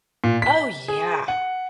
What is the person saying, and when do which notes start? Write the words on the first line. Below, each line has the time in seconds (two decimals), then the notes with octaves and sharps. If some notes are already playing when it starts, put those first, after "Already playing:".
Oh, yeah.
0.24 A#2
0.42 B6
0.88 G#4
1.28 F#5